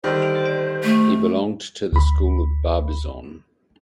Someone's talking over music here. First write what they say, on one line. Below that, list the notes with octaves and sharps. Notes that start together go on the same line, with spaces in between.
He belonged to the School of Barbizon.
D3 D#3 G3 C5
A3
D2 B5